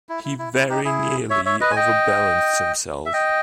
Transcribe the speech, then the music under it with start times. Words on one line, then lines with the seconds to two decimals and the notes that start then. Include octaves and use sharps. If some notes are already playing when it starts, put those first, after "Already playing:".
He very nearly overbalanced himself.
0.09 E4
0.24 E4
0.39 E4
0.54 E4
0.70 D#4 G4
0.84 E4 G#4
1.30 C#5 E5
1.45 C#5 E5
1.61 B4 D#5
1.71 G#5
1.76 D#5 G5
3.06 E5
3.13 D#5 G5